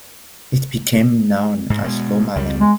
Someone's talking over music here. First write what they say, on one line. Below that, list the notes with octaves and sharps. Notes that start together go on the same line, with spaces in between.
It became known as "Lomaland".
G#2
B2 G#3
C#2 G3
G#3